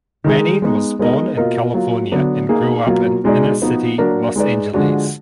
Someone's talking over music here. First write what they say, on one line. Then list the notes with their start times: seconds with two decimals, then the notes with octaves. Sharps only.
Manning was born in California and grew up in inner city Los Angeles.
0.24 D#3 G#3 D#4 G#4
0.62 G#3 B3 D#4
0.99 G#3 B3 D#4 A#4 D#5
1.37 B2 A#3 F4 A#4 D#5
1.74 F#3 A#3 F4
2.12 D3 F#3 B3 D4
2.49 A#3 D#4 G#4
2.87 B2 F#3 A#3 F4
3.24 B2 G#3 D#4 G#4 D5
3.62 F3 B3 D#4 F#4
3.98 F#3 A#3 D4 F#4 A#4
4.36 G#3 D#4 G#4 B4 D5
4.74 D3 F3 G#3 D4 F#4